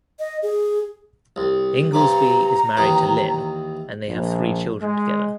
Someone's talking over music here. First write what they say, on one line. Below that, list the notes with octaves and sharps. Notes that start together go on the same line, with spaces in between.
Inglesby is married to Lynn and they have three children together.
D#5
G#4
C2
G2 C3 A#5 D6
D#2 D#3 E3
A#1
G#3